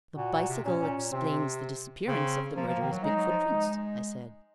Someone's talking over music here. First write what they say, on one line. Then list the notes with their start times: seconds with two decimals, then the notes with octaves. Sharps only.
"The bicycle explains the disappearance of the murderer's big foot-prints," I said.
0.16 A#2 F#4
0.33 A#2
0.49 C3
0.64 A#2 C#4
0.80 A#2
0.96 A#2
1.12 C3 C4
2.07 C#3 C4
2.56 F3 A#3
2.68 F3
2.80 D#3
2.92 F#3
3.03 G#3 D#4
3.16 F#3
3.28 F3
3.52 G#3